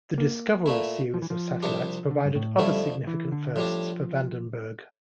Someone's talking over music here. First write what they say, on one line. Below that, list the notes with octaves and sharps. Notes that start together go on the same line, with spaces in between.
The Discoverer series of satellites provided other significant firsts for Vandenberg.
A#3
A#2 A3 E4
F3
E3
F3
C2 C3 G3 D4
D3
G2
A2
F2 D3 G3 A3 E4
E3
D3
A2 F3 G3 D4